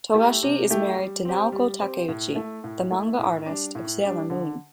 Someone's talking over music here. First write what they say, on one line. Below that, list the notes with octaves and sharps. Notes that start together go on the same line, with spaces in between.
Togashi is married to Naoko Takeuchi, the manga artist of "Sailor Moon".
A3 E4 G4
C3
A3 E4 G4
G3
C4 G4
G3
C4 G4
A2
A3 E4
A2
A3 E4
A2
G3 D4
A2
G3 D4
D3